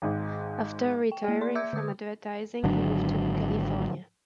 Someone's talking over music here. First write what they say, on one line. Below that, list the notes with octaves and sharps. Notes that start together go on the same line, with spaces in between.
After retiring from advertising, he moved to California.
G#1 G#2
G5
A#3 G#4
D5 C6
E5 D6 E6 G6 G#6
D3 D#6
G#1 D3 F#3 D4